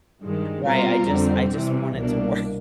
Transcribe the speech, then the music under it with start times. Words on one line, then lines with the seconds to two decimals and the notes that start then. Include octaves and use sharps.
Right, I just I just want it to work,
0.22 G2 D#3 G#3
0.65 B2 G3 C4 F4 A#4
1.09 F2 D3 G3 C4
1.52 C3 E3 G3
1.96 C2 B2 G3 A#3 D4